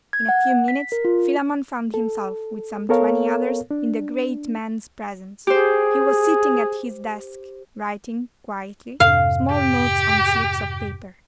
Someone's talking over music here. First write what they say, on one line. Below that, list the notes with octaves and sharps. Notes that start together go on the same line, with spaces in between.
In a few minutes Philammon found himself, with some twenty others, in the great man's presence: he was sitting at his desk, writing, quietly, small notes on slips of paper.
G#6
F#5
B6
A#4
F4
A4
B3 A4 A#4 C#5 F5
D4
G4 G#4 C5
F2 G#2 C3 F5
G4